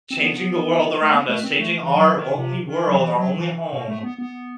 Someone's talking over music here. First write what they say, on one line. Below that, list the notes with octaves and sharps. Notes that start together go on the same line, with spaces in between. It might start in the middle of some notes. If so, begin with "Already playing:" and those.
changing the world around us, changing our only world, our only home
C4
B3
A3
B3
A3
C4
A3
E3
F#3
D#3
C3
D#3
F#3
E3
F#3
E3
B2
A3
B3
B3